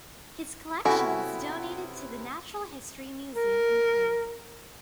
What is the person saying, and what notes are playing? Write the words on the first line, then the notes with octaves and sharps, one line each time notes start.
His collection was donated to the Natural History Museum in Prague.
C3 B3 C#4 E4 F#4 A4 E5 G#5
A#4